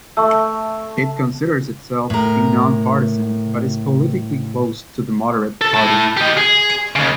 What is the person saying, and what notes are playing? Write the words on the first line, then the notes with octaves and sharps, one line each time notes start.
It considers itself to be non-partisan, but is politically close to the Moderate Party.
A3 E5 C#6 E6
A2 A#4
A4
E4 A5
G4 D#5
G#4
D#2 C#3